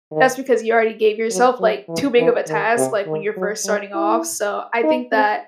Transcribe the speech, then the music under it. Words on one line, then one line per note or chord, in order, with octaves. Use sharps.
that's because you already gave yourself, like, too big of a task, like, when you're first starting off. So I think that,
D#3
F#3
F#3
E3
E3
D#3
C3
D#3
F#3
G3
E4
D#4
C4